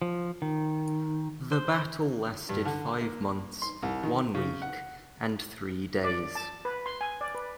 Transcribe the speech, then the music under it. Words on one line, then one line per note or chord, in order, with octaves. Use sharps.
The battle lasted five months, one week, and three days.
F3
D#3
C5
G2
D3
A#3
C6
C2
D#3
C#3
F#5
D5
A5
B4
C6
G#5
D5
B4